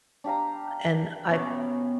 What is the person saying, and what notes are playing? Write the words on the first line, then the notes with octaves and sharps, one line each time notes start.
and I
D4 G4 F5 A#5
B2 C#4 D6